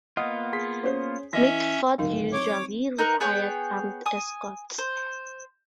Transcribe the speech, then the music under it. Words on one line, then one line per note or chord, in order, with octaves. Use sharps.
Mitford usually required armed escorts.
A#3 B3 F4 D#5 F#5 D#6
G#4 C6 B6
C#4 C5
E3 C#4 E4 D#5 E5 A#6
D1 G#1 F#3 D#4 A#4 F5
C4 C#5 D6
D#4 A#4 B4
B3 G#4 C#5 G5
G#5 D#6
C5